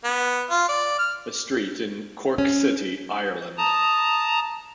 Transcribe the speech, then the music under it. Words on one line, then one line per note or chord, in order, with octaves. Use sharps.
A street in Cork City, Ireland.
B3
F4
D5
F6
C#4
A5 A#5 D#6